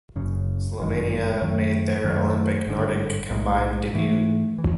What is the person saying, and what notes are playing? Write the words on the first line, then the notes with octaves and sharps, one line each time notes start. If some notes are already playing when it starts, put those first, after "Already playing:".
Slovenia made their Olympic Nordic combined debut.
F#1 F#2 C#3
G1 F#2 D#3 G#3
F#2 D#3 F#3 A3
F#2 D#3 F#3 A3
G#1 G2 D3
B1 A2 E3 G#3
G#2 E3 A3
E3